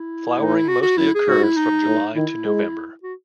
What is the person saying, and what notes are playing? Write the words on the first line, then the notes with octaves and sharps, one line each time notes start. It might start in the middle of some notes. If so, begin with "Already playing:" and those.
Flowering mostly occurs from July to November.
Already playing: E4
A2
D#4
E4
F#4
F#4
F#2 E4
G#4
G#2 F#4
E4
D#4
A2
D#3 E4
G#3
F#4